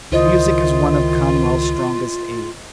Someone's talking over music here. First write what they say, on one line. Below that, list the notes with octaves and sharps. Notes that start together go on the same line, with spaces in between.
Music is one of Conwell's strongest aids.
C#2 D#3 E4 F4 C5 D#5